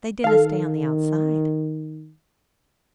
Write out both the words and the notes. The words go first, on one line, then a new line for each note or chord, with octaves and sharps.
They dinna stay on the outside.
D#3 A4 F5